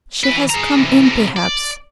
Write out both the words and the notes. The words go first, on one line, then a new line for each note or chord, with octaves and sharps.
She has come in, perhaps.
E3 B4
G#4 A#5
C3 E3
A2 C3
D5